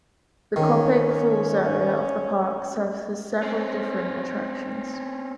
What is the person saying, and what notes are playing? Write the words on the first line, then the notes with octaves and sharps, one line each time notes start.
The Copake Falls Area of the park services several different attractions.
D#3 C#4
C4 C#4